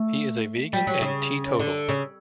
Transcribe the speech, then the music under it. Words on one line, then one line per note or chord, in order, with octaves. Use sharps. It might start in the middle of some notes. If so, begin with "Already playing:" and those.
He is a vegan and teetotal.
Already playing: A3
G3
F#3
C#3
D3
C#3